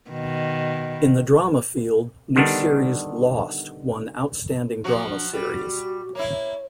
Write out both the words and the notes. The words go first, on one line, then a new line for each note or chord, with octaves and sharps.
In the drama field, new series "Lost" won Outstanding Drama Series.
B2 D#3
D3 D#3 G3 B3 D4
F3 F#3 F#4
D4
G3 F#4
A#3 E4 C#5